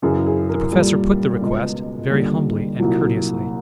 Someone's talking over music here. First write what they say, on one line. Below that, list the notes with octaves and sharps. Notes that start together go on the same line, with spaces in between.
The Professor put the request, very humbly and courteously.
F#2 C#3 E3 G#4
G#4
A#4
A#2 G3 A4
C#2 B2 G#3
D#2 D3 G3
C2 A#2 F#3